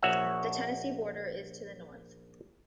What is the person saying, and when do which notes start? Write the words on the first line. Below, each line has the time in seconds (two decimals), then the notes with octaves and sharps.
The Tennessee border is to the north.
0.03 A#1 F#4 C#5 E5 F#5